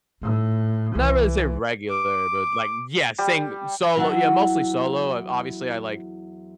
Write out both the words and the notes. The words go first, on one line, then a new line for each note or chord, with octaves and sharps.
not really say regular, but, like Yeah, saying solo Yeah, mostly solo. I've Obviously, I like
A2 D#4
C2 E3
D6
G3
E2 F#3 E4 C#5 F#5 A5